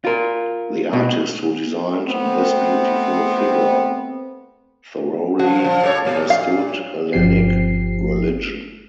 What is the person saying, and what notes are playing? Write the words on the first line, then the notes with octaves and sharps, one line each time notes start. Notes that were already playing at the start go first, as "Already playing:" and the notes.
The artist who designed this beautiful figure thoroughly understood Hellenic religion.
F4 A#4
B2
A3 B3 C4
F3 F#4
A#2 F3
G3 A4 C#5
A#2 F#3
F5
G1 F3 C4 G4 C7